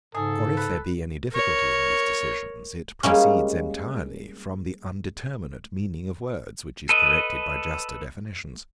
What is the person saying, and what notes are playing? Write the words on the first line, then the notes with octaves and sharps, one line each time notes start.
Or if there be any difficulty in these decisions, it proceeds entirely from the undeterminate meaning of words, which is corrected by juster definitions.
G#2 C#3 G#4 A4
B4
A#4 C#5
G3 G#3 A#3 C#4
A4 B4 D#5